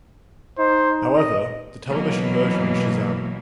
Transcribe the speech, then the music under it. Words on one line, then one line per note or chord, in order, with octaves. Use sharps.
However, the television version of Shazam!
D#4 C5
D#5
B2 E3 F#3 A#3